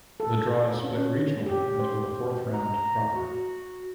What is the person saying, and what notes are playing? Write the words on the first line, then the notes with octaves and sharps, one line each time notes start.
The draw is split regionally until the fourth round proper.
A4
C#4
G4
C5
A#5
F#4